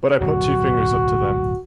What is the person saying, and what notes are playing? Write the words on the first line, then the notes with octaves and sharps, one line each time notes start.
But I put two fingers up to them.
D1 B1 F#2 F#4